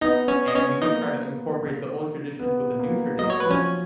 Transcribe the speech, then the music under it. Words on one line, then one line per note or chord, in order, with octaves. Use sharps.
and we could try to incorporate the old traditions with the new tradition,
B3 D#4 D#5
C#4 C#5
D#5
C#4 C#5
A#3 D#4 D#5
B3
A#3
F#3 D#5
C#5
B4
F3 C#4 C#5